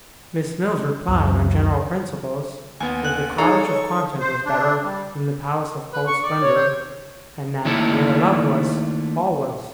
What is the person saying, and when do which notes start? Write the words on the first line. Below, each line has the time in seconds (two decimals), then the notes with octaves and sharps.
Miss Mills replied, on general principles, that the Cottage of content was better than the Palace of cold splendour, and that where love was, all was.
1.08 C#2 F#2 F#3
2.80 D#2 B3 G#5
3.04 F#6
3.38 D#4 G#4 A4 C#5 F5 A#5
3.53 C#5
4.20 C5
4.45 D4
4.83 G3
5.93 B4
6.07 C#6
6.21 D5
6.42 C#5
6.56 C5
7.65 D#3 A3 A#3 D4 E4